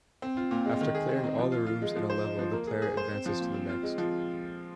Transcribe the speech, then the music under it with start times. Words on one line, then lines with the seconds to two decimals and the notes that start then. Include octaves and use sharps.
After clearing all the rooms in a level the player advances to the next.
0.22 C4
0.37 F4
0.51 A#2
0.65 G#3
0.81 D#3
0.95 G#4
1.09 C4
1.24 D#4
1.39 F3
1.52 F4
1.67 F4
1.82 G#3
1.96 F3
2.10 C5
2.24 D#4
2.39 F3
2.53 A#3
2.67 G#4
2.82 G#4
2.97 C5
3.12 C4
3.26 F3
3.40 A#2
3.54 C4
3.69 F4
3.83 G#3
3.98 F3